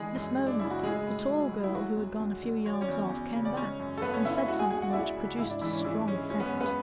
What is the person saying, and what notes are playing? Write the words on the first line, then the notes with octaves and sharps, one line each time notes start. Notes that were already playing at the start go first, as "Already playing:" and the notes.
At this moment the tall girl, who had gone a few yards off, came back, and said something which produced a strong effect.
Already playing: D3 E3 G#3 G#4
F#2
G#3
D4
C#3 E4
F#4
A2 G#3 G#4
A2
F#3
F#3
E4
F#3 G#3 F#4
D2
D2
D3
F#3 C#5
D5
C#4 C#5
E2
E2
C#3
D5
G#3 C#4 C#5
F#2
A4
F#2 B3 B4
C#4 C#5
D3 E4 E5
E4 E5
G#3 F#4 F#5
G#4 G#5
D2 G#4 G#5
F#4 F#5
D5
D2 E4 E5
C#3
G#2 E4 E5
D4 D5
G#2 E3 E4
C#4
D4
E3 G#3 E4
G#3 C#4
G#3 C#4
B3
C#4
F#2
B3 B4